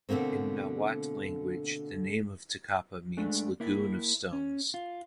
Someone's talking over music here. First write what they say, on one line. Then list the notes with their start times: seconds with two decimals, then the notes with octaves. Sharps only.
In nahuat language the name of Tecapa means Lagoon of stones.
0.09 B2 D3 A3 A#3 C4
3.17 G#3 A3 D4
3.60 A#3 E4
4.33 C#4
4.74 F4